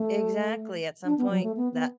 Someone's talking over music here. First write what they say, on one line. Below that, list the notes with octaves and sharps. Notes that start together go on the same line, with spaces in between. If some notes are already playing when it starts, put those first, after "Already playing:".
exactly, at some point that
Already playing: A3
D4
B3
F#3
A3
B3
B3